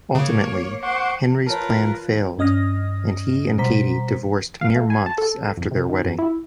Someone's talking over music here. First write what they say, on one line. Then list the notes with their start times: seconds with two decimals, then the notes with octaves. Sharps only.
Ultimately, Henry's plan failed, and he and Katie divorced mere months after their wedding.
0.15 C#3 A#3 C#5
0.83 C5 F#5 C#6 D6
1.47 F4 A#4 B4 C#5 A5
2.38 G2 C#4 D#5 D#6 F6 A#6
3.58 B2 G3 C5 A#5 B6
4.61 F5
4.76 A3
4.90 G#5
5.06 A5
5.18 A4
5.57 F2
5.71 C3
5.89 D#3
6.04 F#2
6.18 E4